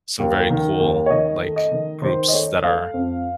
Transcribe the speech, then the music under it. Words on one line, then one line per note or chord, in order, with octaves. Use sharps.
some very cool, like, groups that are
D#2
D#3
D#2
C#5
D#3 D#5
A3
D#5
D#3
D#3 C5
D#5
A3 C#5
A3 F5
F2